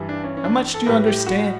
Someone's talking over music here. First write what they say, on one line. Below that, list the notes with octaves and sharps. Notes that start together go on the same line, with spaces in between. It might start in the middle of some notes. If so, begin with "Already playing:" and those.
How much do you understand?
Already playing: G2 E3 G3
D4
C#4
C#4
D4
A4
A2 G3 B4
G4
F#4